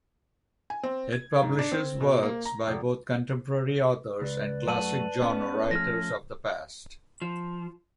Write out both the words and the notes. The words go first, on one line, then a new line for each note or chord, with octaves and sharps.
It publishes works by both contemporary authors and classic genre writers of the past.
G#5
C4
G#6
G#2
D4
C4
B2
A#3
A#5
F1
C#2 B4 D5
F#2 A3 F#4 A5 D#7 F#7
B3 C#4
F3 A3 C#4 F6 A#6
F3